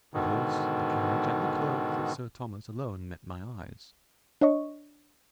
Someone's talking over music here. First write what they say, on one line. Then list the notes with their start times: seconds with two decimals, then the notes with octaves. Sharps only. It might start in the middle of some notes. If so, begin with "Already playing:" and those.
The horse, the carriage, and the clothes of Sir Thomas alone met my eyes.
0.14 G#2 B2 D3 D#3
4.41 D4 C#5 D#5 C#6